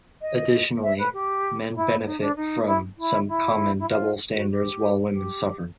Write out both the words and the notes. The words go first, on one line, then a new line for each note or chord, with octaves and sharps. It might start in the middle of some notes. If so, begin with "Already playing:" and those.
Additionally, men benefit from some common double standards while women suffer.
D#5
E5
B4
G4
E4
D#4
D4
D#4
E4
E4
E4
E4
F4
F#4
G4
G4